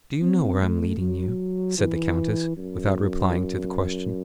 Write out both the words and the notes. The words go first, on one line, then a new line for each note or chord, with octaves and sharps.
"Do you know where I am leading you?" said the countess, without replying to the question.
C4
A3
F#3
E3
F#2